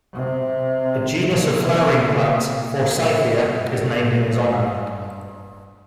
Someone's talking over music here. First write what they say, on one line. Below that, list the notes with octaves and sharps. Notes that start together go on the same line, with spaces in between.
A genus of flowering plants, "Forsythia", is named in his honor.
C3
A#2
C3
D3
C3
A#2
A2
G2
A2
G2